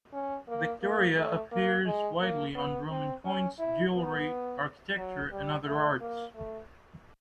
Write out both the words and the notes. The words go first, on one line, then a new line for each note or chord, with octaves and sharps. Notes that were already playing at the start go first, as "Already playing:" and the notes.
Victoria appears widely on Roman coins, jewelry, architecture, and other arts.
C#4
A#3
A#3
A3
A#3
G#3
A#3
B3
C4
C#4
E4
B3
F#3
G3
A3
A#3
A3